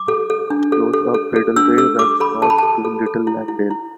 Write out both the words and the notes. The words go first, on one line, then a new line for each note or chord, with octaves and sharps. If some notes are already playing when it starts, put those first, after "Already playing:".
From Hodge Close a bridleway runs north to Little Langdale.
Already playing: D6
A4
A4
D4
A4
A4
A4
A4
D4 E6
A4 E6
A4 D6
A4 B5
A4 A5
B5
A4 A5
A4
A4
E4
E4
E4